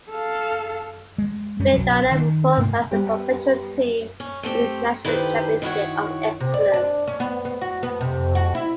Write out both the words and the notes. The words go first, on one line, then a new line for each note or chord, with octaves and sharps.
Viadana reformed as a professional team in the National Championship of Excellence.
A4 F5
G#3
F#2 G3 C#4
B1 F#3
D#3
G#2 C3 A3 A#3
G3 B3 G4 B4 C5
C#4
A3 C4 G4
D#3 E4 G4 A4 B4 C5
D#3 E4 F#4 C#5
C3
D5
D4
C#4
B3
B3
F#4
B3
C3
F#4
E4